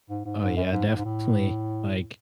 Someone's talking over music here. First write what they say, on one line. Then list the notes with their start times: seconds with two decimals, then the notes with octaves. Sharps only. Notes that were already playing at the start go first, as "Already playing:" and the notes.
Oh, yeah, definitely. Like,
0.10 G#2
0.25 G#2
0.42 G#2
0.56 F#2
0.72 G#2
0.88 A2
0.96 G#2
1.05 A2